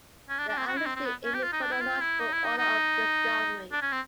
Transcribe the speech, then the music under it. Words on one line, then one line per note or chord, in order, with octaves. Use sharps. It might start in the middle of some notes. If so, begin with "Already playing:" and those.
They are listed in chronological order of discovery.
C#4
D4
D4
C4
F#4
E4
C4
C4
B3
C#4
G4
F4
D#4
D4
E4
F4
E4
D#4
E4
D#4
D#4
D4
C#4
C4